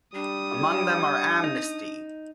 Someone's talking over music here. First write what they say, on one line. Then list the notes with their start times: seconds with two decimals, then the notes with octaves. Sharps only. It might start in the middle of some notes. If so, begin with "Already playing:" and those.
Among them are Amnesty!
0.15 G3 D4 D#6
1.44 D#4